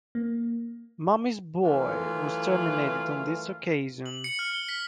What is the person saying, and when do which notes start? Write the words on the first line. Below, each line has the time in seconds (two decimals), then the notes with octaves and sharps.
"Mummy's Boy" was terminated on this occasion.
0.15 A#3
1.63 F#2 E3 A3 F4
4.06 F#7
4.24 C#7
4.39 F6
4.54 G7
4.69 B6